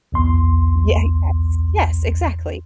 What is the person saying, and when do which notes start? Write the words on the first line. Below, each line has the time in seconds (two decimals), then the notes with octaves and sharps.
Yeah, yes, yes, exactly,
0.12 B1 E2 C6